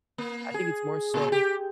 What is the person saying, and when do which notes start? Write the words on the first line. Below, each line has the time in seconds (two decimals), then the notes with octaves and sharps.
I think it's more so
0.18 A#3
0.54 G#4
1.14 A#2
1.32 G4